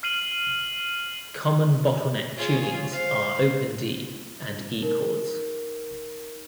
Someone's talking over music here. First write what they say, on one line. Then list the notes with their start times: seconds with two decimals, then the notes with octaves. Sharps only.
Common bottleneck tunings are open D and E chords.
0.03 F6 C7 D#7 F#7
2.37 F4 G#4 C#5
2.92 C5 F5
4.82 D#4 A#4